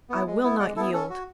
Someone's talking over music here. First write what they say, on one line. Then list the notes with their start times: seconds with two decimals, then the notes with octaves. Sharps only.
I will not yield.
0.10 B3 E4
0.27 G#3
0.43 B3 E4
0.59 G#3 D5 F#5
0.76 E4 A4
0.79 B3
0.93 C#4 A4
1.10 F#4